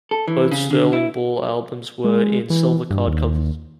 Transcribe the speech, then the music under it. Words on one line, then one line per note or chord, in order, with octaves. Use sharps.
Both Sterling Ball albums were in silver card covers.
A4
E3
C#3
D3
E4
G#3
E3
G2
D#2